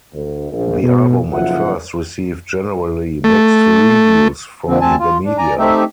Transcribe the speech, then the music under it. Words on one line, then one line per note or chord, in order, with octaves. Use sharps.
The album at first received generally mixed reviews from the media.
D2
A#1
B2
F#1 B1 F3 F4 E5 F#5
A3
F2 A#2 D3 F3 C4
D2 C4 G#5 A5
F4
D4
D5 G#5 A#5
A3 C4 D#4 G4 E5